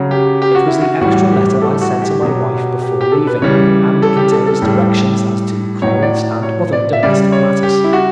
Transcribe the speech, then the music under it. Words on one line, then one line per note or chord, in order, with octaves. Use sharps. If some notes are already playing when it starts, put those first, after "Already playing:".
It was the extra letter I sent to my wife before leaving, and contains directions as to clothes and other domestic matters.
Already playing: C#3 F#3
G4
G4
F#4
E4
F#4
A2 E3 G3 F#4
G4
A4
F#4
G4
B2 F#3
G4
G4
A4
B4
C#3 E3 G3 C#5
A4
G4
A4
A4
A2 G3
A2 F#3 C#5
D5
C#5
D5
E5
C#3 G3 D5
C#5
G4
E4
F#4